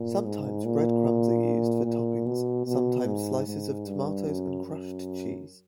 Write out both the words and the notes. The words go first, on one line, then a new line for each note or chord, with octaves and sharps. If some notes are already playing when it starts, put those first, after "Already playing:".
Sometimes bread crumbs are used for toppings, sometimes slices of tomatoes and crushed cheese.
Already playing: A#2
G#2
A#2
A#2
B2
B2
G#2
G#2
G2
F#2
F#2